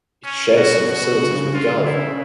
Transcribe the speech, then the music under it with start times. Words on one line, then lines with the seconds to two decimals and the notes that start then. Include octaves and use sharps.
It shares some facilities with Gov.
0.24 C#4
0.57 B2 F#4
0.90 B2 F#4
1.22 C#3
1.53 F4
1.75 D3
1.85 E4
1.96 C#3